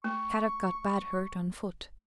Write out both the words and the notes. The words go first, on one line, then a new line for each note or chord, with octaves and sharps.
Kadok got bad hurt on foot.
A3 C#6